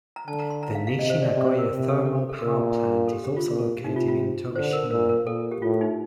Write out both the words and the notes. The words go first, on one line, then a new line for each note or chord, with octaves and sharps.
The Nishi-Nagoya Thermal Power Plant is also located in Tobishima.
A#5
D3 A5
A#5
C6
A#5
F5
F5
C3 D#5
C5
D5
D#5
C3 D5
C5
A#4
C3
A4
A4
A4
A#2 A#4
A4
G4
G4
F4
A#2
C3 D#4
F4
F4
D3 C5
A#4
A#2 A#4
A#4
A#2 A4
G4
A2 F4
D#4